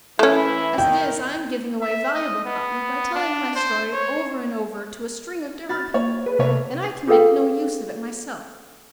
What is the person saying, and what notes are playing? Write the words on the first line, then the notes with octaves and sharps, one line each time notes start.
As it is, I am giving away valuable copy by telling my story over and over to a string of different people, and I can make no use of it myself.
E3 A3 C#4 E4
D#3 G5
E5
D#5
B3
D4
C5
C#5
F#4 B5 F6 A6
A#3 C#5
G#4 B4
C3 A3 A#3 C#5
F4 G#4 A4 B4 F5 G5